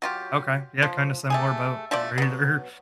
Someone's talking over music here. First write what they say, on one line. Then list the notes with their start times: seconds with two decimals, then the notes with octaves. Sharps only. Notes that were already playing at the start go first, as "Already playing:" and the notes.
Okay, yeah, kinda similar boat. You're either
0.02 F#3 F4 G4
0.83 F3
1.30 A3 G4 G#4
1.91 F3 A3 C5 D5
2.18 F#3 B3